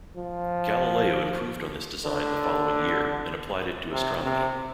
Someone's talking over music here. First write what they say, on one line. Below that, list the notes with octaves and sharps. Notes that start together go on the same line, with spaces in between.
Galileo improved on this design the following year and applied it to astronomy.
F3
D3
C3
C3